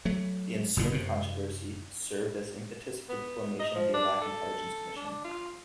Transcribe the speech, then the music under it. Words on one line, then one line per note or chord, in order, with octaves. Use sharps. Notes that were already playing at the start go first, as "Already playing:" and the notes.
The ensuing controversy served as impetus for the formation of the Iraq Intelligence Commission.
F#3 A3
F#1 B2 D3
F#2 C3
B3
D#5
F3
D4
A4
D4
F4